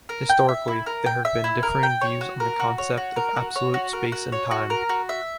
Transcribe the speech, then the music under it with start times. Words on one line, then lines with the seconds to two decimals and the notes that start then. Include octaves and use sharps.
Historically, there have been differing views on the concept of absolute space and time.
0.09 A#4
0.29 G5
0.49 E5
0.68 E4
0.86 A#4
1.06 G5
1.25 E5
1.44 E4
1.63 A#4
1.83 G5
2.01 C#5
2.21 F#4
2.40 A#4
2.60 F#4
2.78 C#5
2.97 F#4
3.16 A#4
3.36 F#4
3.56 C#5
3.74 F#4
3.93 A#4
4.12 F#4
4.32 C#5
4.51 F#4
4.70 A#4
4.89 F#4
5.09 E5